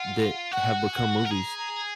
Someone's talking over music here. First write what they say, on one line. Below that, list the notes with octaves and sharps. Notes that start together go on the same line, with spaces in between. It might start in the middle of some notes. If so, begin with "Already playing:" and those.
that have become movies.
Already playing: F4 F#5
F#4 F#5
G#5
F#5
A#4
G#4 A#5
A#5